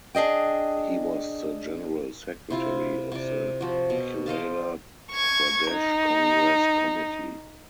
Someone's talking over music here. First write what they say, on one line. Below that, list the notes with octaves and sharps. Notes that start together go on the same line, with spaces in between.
He was the general secretary of the Kerala Pradesh Congress Committee.
D4 G#4 D#5 G5
C3 E4 F4
C3 D5
F3 F#4
B2
C5 D#5 F5 A5
C#6 G#6
D#4